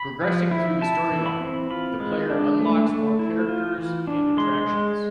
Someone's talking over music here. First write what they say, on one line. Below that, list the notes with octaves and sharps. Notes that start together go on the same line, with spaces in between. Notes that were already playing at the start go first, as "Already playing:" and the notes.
Progressing through the storyline the player unlocks more characters and attractions.
Already playing: B5
F3
E4
E4 A5
E3
B5
C4
F4 B5
G#3
D4
A3
A3
E4
F4
E3
D4
G#3 C6
G#3